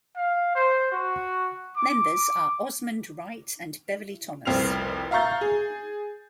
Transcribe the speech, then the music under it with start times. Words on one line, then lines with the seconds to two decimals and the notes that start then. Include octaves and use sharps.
Members are Osmond Wright and Beverly Thomas.
0.16 F5
0.55 C5
0.92 F#4
1.77 D6
4.45 F1 C2 C4 F6 C7 F7
5.11 E5 F5 A#5 C#6 G6 A6
5.41 G#4